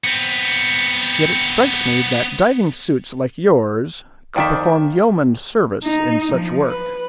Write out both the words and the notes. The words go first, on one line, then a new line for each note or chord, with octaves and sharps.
"Yet it strikes me that diving suits like yours could perform yeoman service in such work."
B3 C4
F2 D#3 D5 E5 G5 D6
D#4
F3
B4